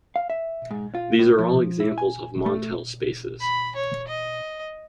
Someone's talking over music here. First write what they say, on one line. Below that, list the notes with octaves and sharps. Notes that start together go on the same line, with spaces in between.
These are all examples of Montel spaces.
F5
E5
G#2
F4
A2
F3
E4
G#5
A3
B5
C#5
D#5